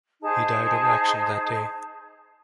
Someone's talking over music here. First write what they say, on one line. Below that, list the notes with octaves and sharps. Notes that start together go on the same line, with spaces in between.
He died in action that day.
D#4 G#4 C5 A5